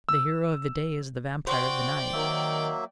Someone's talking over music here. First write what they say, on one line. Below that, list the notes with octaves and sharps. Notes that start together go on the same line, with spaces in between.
The hero of the day is the vampire of the night.
E6
F#4 C5 D5 G5
D#3 F#3 A#3 E5